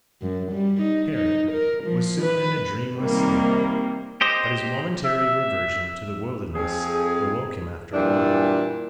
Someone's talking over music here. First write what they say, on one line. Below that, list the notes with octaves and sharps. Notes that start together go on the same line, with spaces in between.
Harry was soon in a dreamless sleep, but his momentary reversion to the wilderness awoke him after a while.
F#2
G3
D#4
D#4
A#4
F3
B4
C3 D#3 G3 A#3
G4 C5 D#5
E5
F2 G#4
A#2 E3 G3 D4